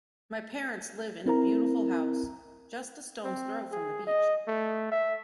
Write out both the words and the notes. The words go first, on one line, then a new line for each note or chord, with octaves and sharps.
My parents live in a beautiful house just a stone's throw from the beach.
C4 E4 A#4 C5 A#5
C4
G#4
D#5
A3
E5